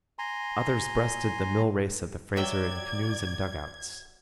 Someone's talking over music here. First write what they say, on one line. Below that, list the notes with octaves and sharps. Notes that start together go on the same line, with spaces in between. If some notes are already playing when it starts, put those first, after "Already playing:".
Others breasted the mill-race of the Fraser in canoes and dugouts.
G#5 A#5 C6
F#3 D5 E5 G5 G#6